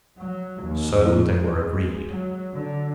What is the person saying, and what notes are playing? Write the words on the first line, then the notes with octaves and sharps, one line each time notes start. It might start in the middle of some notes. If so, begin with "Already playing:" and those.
So they were agreed.
F#3
D#2
F2
G#3
F#3
D3